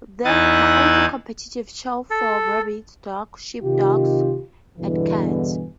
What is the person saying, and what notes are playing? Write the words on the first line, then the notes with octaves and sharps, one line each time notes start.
There are also competitive shows for rabbits, dogs, sheepdogs, and cats.
E2 D#4 E4 D#6 F#6 A6
A4
C3 D#3 F4 G4
E2 G2 B2 D3 E3